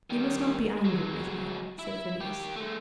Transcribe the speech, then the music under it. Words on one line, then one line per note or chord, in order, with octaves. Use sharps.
"You must not be angry with me," said Phineas.
D#3 G3
F#3 G#3
E4
D#3 G4
G#3 A3